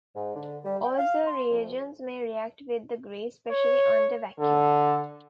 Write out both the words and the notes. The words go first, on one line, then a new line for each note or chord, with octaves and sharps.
Also, reagents may react with the grease, especially under vacuum.
G#2
D3
G3
G5
F5
C6
F2
C#5
D3 A4